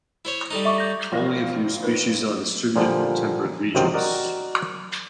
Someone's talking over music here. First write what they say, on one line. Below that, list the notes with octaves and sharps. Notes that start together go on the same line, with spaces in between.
Only a few species are distributed in temperate regions.
E4 C5 C#5
G3 A3 D#4
E5 C#6 D6
G6 A#6
A#1 F3 F4 A#4 A#6
D#4 A#4 B4
A#2 D3 F3 G3
C#2 F#2 C3 D#3 C4 F4
F#4 A#4 D5 D#5